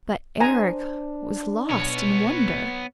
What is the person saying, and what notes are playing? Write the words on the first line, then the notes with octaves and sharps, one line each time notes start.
But Eric was lost in wonder.
D4 C5 G#5 A#5
B2 B3 C#5